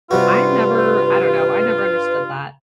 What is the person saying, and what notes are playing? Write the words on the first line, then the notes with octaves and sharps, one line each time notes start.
I never I don't know, I never understood that.
G2 C3 G3 F4 F#4 B4